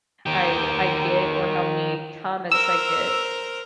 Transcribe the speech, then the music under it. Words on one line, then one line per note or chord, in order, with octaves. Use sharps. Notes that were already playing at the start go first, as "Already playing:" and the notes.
I I get or how many comments I get.
D#3 G4
A#4 C5 E6